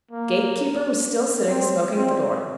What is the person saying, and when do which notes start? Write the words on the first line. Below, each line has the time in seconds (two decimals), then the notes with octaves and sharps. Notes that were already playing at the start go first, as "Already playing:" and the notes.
The gatekeeper was still sitting smoking at the door.
0.11 A#3
1.50 C4
1.96 C4